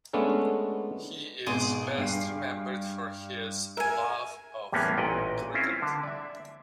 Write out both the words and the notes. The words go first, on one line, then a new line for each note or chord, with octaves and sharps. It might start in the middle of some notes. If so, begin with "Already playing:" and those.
He is best remembered for his love of cricket.
G#3 A3 B3 C#4 D4 A4
G#1 B2 G#4 C6 D6
G2 C7
A#4 E5 G#5
E2 A2 G3 A#3 B3 C#4
A1 A#2 D#5 F#5 G5
C4 C#4 E4 F4 C5
D3
D5 E5